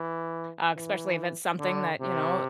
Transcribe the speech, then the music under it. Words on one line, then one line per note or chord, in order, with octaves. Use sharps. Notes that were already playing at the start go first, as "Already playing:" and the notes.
uh, especially if it's something that, you know,
Already playing: E3
E3
D3
C3